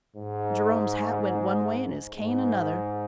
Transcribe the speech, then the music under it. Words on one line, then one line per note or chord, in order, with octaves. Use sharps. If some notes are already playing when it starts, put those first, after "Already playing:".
Jerome's hat went one way and his cane another.
G#2
G#2